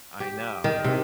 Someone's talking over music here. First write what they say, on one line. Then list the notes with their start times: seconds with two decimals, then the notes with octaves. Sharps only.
I know.
0.20 G4
0.64 D#3
0.84 C3